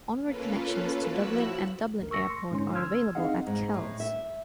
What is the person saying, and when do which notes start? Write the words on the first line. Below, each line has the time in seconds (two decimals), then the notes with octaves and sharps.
Onward connections to Dublin and Dublin Airport are available at Kells.
0.22 A#3 C#4 F4 A4 B4
1.01 F3 E4 F#4 E6 F#6
2.00 A1 D2 A#4
2.11 C#6 E6 A#6 C#7
2.30 C6
2.51 G#2 D3 C#4 C6
2.75 C6 E6 F6 G#6
3.15 C4 D#4 G#4 D#5 F5 F#5
3.46 G#2
3.74 A2
4.00 E5